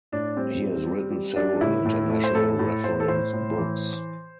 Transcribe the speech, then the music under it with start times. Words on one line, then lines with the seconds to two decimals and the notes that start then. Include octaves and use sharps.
He has written several international reference books.
0.12 A2 D4
0.37 G3 C4
0.61 G3
0.86 G3
1.11 G3
1.36 G3 D4
1.61 A2 E4
1.85 A2
2.10 A3
2.24 C5
2.35 A2 A4
2.59 A2
2.84 A2 C5
3.00 A4
3.08 A2 C5
3.33 A2
3.58 E3